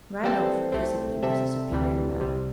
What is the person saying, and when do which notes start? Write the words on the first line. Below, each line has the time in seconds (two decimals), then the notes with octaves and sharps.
Randolph, physically, was a superior man.
0.24 E3 G3 C4 A4 C5
0.72 C2 C3 A3 C4
1.22 C3 G3 C4 A4 E5
1.72 D2 C3 E3 G3
2.21 C2 C3 G3